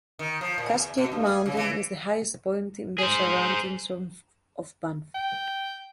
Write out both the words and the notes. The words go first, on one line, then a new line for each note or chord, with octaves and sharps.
Cascade Mountain is the highest point in the surroundings of Banff.
D#3
F3
A#2
E2
B2
G2
G#4
C#3
E3
G#4 C5
G5